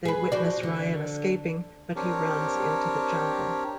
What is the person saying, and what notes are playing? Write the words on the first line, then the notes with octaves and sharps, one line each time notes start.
They witness Ryan escaping, but he runs into the jungle.
G#4 B4
F3 F#4 D5
D3
C4 D4 G4 A#4 C#5